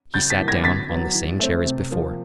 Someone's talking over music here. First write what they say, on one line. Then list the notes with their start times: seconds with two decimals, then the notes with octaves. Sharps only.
He sat down on the same chair as before.
0.14 C#3 G6 A6
0.30 A6 B6
0.38 E3 G3 A#3
0.48 G#6 A#6
0.64 D3 A6 B6
0.90 F#3 B3
1.15 E3
1.39 A3 C4
1.66 C3
1.91 F3 A#3